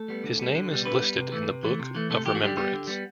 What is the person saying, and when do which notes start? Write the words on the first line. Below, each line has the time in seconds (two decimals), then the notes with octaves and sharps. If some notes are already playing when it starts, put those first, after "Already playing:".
His name is listed in the Book of Remembrance.
Already playing: A3 A4
0.08 G3 B3
0.24 D3
0.39 G3 B3
0.55 D3
0.71 G3 B3
0.85 D3 B3 B4
1.02 G3 B3
1.17 C3
1.32 E3 A3
1.49 C3
1.63 E3 A3
1.79 C3
1.95 E3 A3
2.10 C3 A3 A4
2.25 E3 G4
2.30 A3
2.35 F#4
2.42 D3 G3 G4
2.57 G3 B3
2.73 D3
2.87 G3 B3